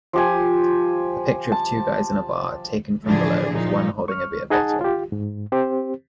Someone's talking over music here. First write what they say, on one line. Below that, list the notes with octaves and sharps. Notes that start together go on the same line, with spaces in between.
A picture of two guys in a bar taken from below with one holding a beer bottle.
F3 G4 G#5
A5
A2 D3 E3 F3 D4 G#4
A#2 F3 D#4
C#6 F6
D#4 G#4 D#5 F#5 G#5 A5
F4 G4
G#2
C4 G4 C5